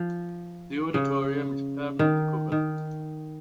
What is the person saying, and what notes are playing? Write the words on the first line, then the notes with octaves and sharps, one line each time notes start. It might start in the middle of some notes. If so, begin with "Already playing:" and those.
The auditorium is permanently covered.
Already playing: F3
C#3
D#3
D#3